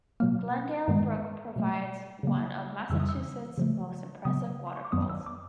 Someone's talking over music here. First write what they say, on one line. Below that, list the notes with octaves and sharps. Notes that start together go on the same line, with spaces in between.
Glendale Brook provides one of Massachusetts' most impressive waterfalls.
B2 F#3 A#3 F6
G2 D#3 G#3 B3
B2 F#3 A3
C#3 F#3 A#3
F2 C#3 E3 G3 E6
D#6
E6
C#3 F3 A3
C#3 F#3 B3 D#6
C6
C#6
D6
F#2 D#3 F#3 B3 D#6
D#6
E6
D6